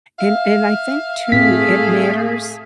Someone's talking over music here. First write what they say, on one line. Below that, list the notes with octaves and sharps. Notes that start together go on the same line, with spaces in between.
And and I think too, it matters
E5 F5
A2 A3 C4 G#4 B6